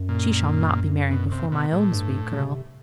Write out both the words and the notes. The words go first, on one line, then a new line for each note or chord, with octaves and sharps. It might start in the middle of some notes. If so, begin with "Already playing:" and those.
'But she shall not be married before my own sweet girl.
Already playing: F#2
A#2
B2
C3
B2
A2
G2
C3